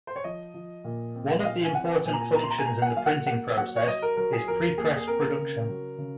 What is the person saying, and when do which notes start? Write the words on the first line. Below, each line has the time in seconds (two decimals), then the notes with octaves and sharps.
One of the important functions in the printing process is prepress production.
0.07 C5
0.16 C#5
0.24 F3 D#5
0.54 F3
0.84 A#2
1.15 C4
1.40 D#5
1.45 F3 F5
1.64 G#5
1.75 C4 F#5
2.05 A#2 G#5
2.13 A#5
2.21 G#5
2.35 C4 A#5
2.44 C6
2.50 A#5
2.58 G#5
2.66 A#3 A#5
2.82 F#5
2.86 G#5
2.97 F#3 F5
3.06 F#5
3.27 A#3 F#5
3.57 F#3 F#5
3.76 C#5
3.87 F#3 D#5
4.02 A#4
4.17 F#3 A#4
4.33 G#4
4.48 F2 A#4
4.77 A#3 G#4
4.96 G#4
5.08 C4 A#4
5.38 C#3
5.68 F#3
5.98 C#3